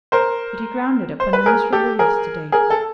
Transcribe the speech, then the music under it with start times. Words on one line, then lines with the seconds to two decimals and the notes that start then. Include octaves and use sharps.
Did he ground it upon the miserable yesterday?
0.12 A#4 C5
1.20 C5
1.33 B4
1.46 G#4 A#4
1.73 G4 A4
1.99 G#4 A#4
2.52 G#4 A#4
2.70 A4